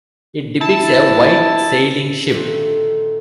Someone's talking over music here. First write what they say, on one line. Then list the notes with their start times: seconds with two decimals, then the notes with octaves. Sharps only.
It depicts a white sailing ship.
0.61 E4 A5
2.29 A#2 D3 D#3 A3 C4